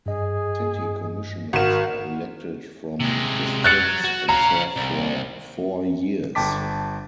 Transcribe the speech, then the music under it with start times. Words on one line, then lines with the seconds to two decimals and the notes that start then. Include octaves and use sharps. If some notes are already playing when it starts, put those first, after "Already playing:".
City commissioners are elected from districts and serve for four years.
0.06 G2 G#4 D#5
1.53 G#1 F#4 A#4 E7
3.00 C3 G#3
3.64 F#3 F#6 A6 C#7
4.04 F#4
4.29 C#5 F5 A#5
4.77 C2
6.35 G1 G5 A5 D6 B6